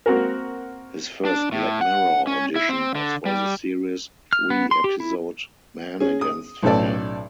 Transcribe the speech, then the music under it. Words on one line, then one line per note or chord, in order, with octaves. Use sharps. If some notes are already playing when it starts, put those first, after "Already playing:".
His first "Black Mirror" audition was for the series three episode "Men Against Fire".
A#3 C4 F#4 A#4
D4
A2
F#5
C#4
E4
C4
D3
G3
F6
B3
C6
G4
E4
C#4 G#4
D#6
B1 A2 C#4 A4 D5